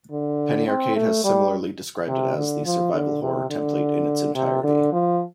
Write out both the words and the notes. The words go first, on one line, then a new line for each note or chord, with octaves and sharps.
"Penny Arcade" has similarly described it as "the Survival Horror template in its entirety".
D3
C4
A3
G3
C3
D3
F3
D3
C3
D3
C3
D3
F3